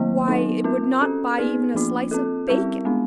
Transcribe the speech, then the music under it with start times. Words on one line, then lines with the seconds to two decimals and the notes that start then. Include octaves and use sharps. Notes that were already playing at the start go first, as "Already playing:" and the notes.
Why, it would not buy even a slice of bacon.
Already playing: D#3 F#3 A#3
0.28 F#3 B3 D#4
0.64 C4 F4 A#4
1.01 C#4 F#4 A4
1.38 B3 D#4 G#4 B4 D5
1.75 F3 A#3 D4 F4
2.11 C4 F4 A4
2.48 G3 C4 E4 G4 A#4
2.85 G#3 B3 D4